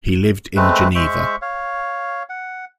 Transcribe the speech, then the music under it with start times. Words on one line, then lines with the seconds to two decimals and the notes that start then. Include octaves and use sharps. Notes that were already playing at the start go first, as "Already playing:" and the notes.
He lived in Geneva.
0.56 G#3 A3 C4 B4
0.95 G#3 C5 E5 C#6
1.42 C#5 F5
2.30 F#5